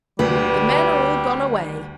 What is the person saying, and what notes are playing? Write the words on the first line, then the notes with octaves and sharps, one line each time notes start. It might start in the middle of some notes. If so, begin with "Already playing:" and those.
The men are all gone away.
D2 G3 B4